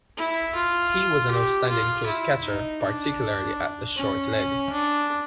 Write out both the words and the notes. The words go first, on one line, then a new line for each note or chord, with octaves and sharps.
He was an outstanding close catcher, particularly at short leg.
E4
F4
G4
F4
E4
D#4
D4
C#4
C#4
D4